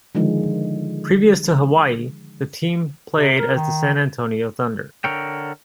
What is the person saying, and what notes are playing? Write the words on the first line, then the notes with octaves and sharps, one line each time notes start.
Previous to Hawai'i, the team played as the San Antonio Thunder.
D3 D#3 F3 G#3
C3
A#4
D#3
D3 A#4 C#5 G5